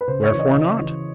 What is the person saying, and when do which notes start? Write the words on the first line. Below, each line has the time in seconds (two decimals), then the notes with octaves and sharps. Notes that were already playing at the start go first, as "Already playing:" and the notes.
Wherefore not?
0.01 B4
0.07 C#3 C5
0.24 C#5
0.32 E3
0.39 D#5
0.55 C#3
0.79 E3